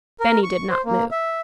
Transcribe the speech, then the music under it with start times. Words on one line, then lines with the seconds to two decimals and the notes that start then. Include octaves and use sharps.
Benny did not move.
0.20 A#4
0.44 C#6
0.70 C5
0.85 A#3
1.12 E5